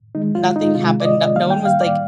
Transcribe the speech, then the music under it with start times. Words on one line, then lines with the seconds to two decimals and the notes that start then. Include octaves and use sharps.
nothing happened, no no one was like,
0.15 D#3 G#3 D#4
0.35 F4
0.56 D#4
0.75 C3 D#3 G#3 F4
1.00 D5
1.05 D#5
1.36 D#3 G3 A#3 F5
1.50 G5
1.65 F5
1.81 D5